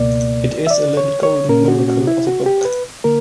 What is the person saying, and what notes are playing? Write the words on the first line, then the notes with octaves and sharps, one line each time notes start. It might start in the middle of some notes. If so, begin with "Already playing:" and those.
It is a little golden miracle of a book.
Already playing: C#2 B2 A#3 D5
E5
D5
C#5
C#5
A#2 A#3 C#4 A#4
F#4
F#4
E4
F#4
G4
B4
D3 A#3 A#4